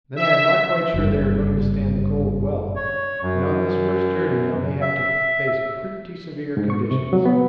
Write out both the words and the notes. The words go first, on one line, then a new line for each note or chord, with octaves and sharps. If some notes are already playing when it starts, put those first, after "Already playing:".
'Then I am not quite sure they are going to stand the cold well, and on this first journey they may have to face pretty severe conditions.
E5
F#1 G2
C#5
F#2
E5
G#2
C#6
C3
F#3
B3